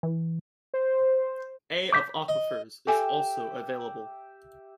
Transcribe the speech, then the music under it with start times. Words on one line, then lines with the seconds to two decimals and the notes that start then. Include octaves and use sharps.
A of aquifers is also available.
0.03 E3
0.74 C5
1.93 D6 G6 B6
2.28 D#5
2.87 G4 A4 E5 G#5